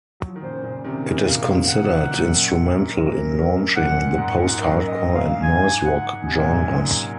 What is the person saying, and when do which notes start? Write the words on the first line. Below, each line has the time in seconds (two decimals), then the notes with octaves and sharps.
It is considered instrumental in launching the post-hardcore and noise rock genres.
0.20 F#3
0.28 F3
0.36 D#3
0.42 A#2 C#3 C5
0.63 A#2 C#3
0.84 C3 D#3
1.06 A#2 C#3
1.27 A#2 C#3 F5
1.68 F#5
2.09 F#2 A#2
2.93 F#2 A#4
3.35 F#2
3.76 F#2 A#2 F#5
4.18 G#2 F#5
4.59 F#2 A#4
4.87 D#5
5.15 F5
5.38 F#2
5.43 G#2 G#5
5.85 F#5
6.26 C3 G#5
6.34 A#2
6.42 G#2
6.50 F#2 A#2